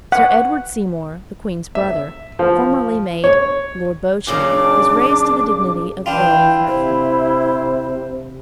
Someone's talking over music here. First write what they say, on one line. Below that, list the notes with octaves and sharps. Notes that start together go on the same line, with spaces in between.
Sir Edward Seymour, the queen's brother, formerly made Lord Beauchamp, was raised to the dignity of earl of Hertford.
F#5
E5
F3
C#5
F#2 A#2 C#3 D4 D6
E3 D4 E4 F4 G5
C3 C5